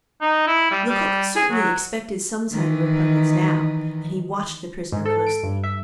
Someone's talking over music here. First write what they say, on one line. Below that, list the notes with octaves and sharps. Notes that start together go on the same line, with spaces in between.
Lecoq certainly expected some sign of repugnance now, and he watched the prisoner closely.
D#4
E4
G3
G3
G#4
F#3
D#3 E3 D#4
G#2
A4
D7
G2
E5